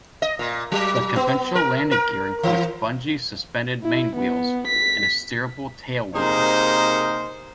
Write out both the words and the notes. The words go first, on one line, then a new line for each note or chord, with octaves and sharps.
The conventional landing gear includes bungee-suspended main wheels and a steerable tail wheel.
D#5
A#2
F#3
B3
A#4
A#4
E3
E4
B3
B6
C3 A#3 D#4 G#4 A#4 C5